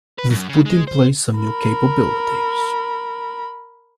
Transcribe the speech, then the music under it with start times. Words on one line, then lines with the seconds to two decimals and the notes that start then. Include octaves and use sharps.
We’ve put in place some new capabilities.
0.19 B4
0.30 F#2
0.49 C#3
0.65 G#3
0.87 C5
1.39 A#4 B5